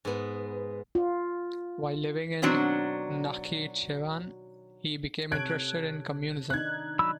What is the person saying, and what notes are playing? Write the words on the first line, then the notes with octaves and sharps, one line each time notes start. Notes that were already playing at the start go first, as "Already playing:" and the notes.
While living in Nakhichevan, he became interested in Communism.
G#2 B3
F4
B2 D#3 F#3 C4 D4 F#4
C3 A4 C#5 F#6 G#6 D7
D#3 D4 D#4 F#6 G#6
F#3 B5 E6